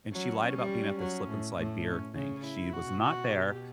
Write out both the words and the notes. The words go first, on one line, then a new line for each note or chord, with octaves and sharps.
and she lied about being at the slip and slide beer thing, she was not there.
F#3 C#4
C#4
G3
C#4
F#3
A2
A2
C#4
C#3 C#4
E4
B2 F#4
F#4
G4